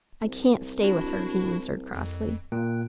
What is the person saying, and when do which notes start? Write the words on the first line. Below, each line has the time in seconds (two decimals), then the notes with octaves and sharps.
'I can't stay with her,' he answered crossly.
0.22 C2
0.83 D4 E4 F#4
1.95 F2
2.52 A#2 A#3 G5 F#6